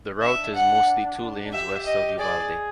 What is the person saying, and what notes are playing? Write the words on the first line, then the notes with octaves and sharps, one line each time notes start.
The route is mostly two lanes west of Uvalde.
D4 E5
F#5
G4 E5
D#5
G#4 D5